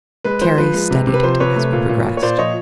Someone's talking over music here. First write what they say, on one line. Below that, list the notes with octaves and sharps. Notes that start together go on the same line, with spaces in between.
Terry studied it as we progressed.
G#3 B4
F3 C5
F3 B4
G#3
C3
C3
B4
F3 C5
C3 B4 C#5
A3
A#2
A#2
A#2
C#5
A#2 C5 D5
F3 C#5 D#5